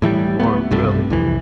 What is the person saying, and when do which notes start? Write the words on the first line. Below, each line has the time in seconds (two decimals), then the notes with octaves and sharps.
or really
0.02 A2 E3 F3 G3
0.40 D1 B1 A3 B3
0.71 B1 G2 C3 A3
1.10 C2 F2 E3